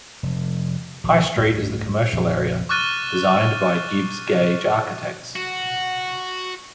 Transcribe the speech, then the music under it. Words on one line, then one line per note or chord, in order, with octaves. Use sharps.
High Street is the commercial area, designed by Gibbs Gage Architects.
F1
A#1 B2 D#3
G1 D2 A2
A#1 F2 A#2 C#3
C#6 D6 F6 F#6 A6 D#7
F#4